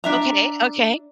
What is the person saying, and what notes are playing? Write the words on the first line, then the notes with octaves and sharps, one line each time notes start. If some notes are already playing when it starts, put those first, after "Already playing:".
Okay, okay.
D4 E5 A#5